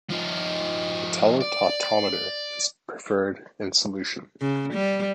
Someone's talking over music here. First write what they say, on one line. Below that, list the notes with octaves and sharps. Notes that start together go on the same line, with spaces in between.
The tele-tautomer is preferred in solution.
F3 D#4
D5
C#3
G3